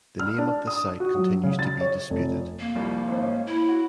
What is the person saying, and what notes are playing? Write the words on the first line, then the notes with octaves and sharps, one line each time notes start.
The name of the site continues to be disputed.
F6
D4
D#6
F#4
F#3
C#3
A6
C#5
F1
A#3
C2 F2 G3
G#1 C5
C#4
E4
F#4